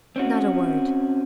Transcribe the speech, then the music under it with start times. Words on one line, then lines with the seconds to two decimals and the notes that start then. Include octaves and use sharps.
"Not a word."
0.16 C4 C#4 F#4